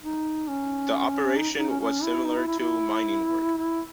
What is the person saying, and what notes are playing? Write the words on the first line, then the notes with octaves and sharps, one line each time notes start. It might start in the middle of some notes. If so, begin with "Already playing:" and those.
The operation was similar to mining work.
D#4
C#4
D#4
D#4
C#4
C#4
E4
D#4
E4
E4
E4
E4